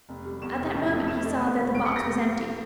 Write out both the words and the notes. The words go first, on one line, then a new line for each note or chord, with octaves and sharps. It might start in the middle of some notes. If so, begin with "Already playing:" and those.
At that moment he saw that the box was empty.
F1
G3
E2 E7
F1
F2
A3
A3 E7
A3
E2
F1
F1 D7
C#7
F1 A#6
A3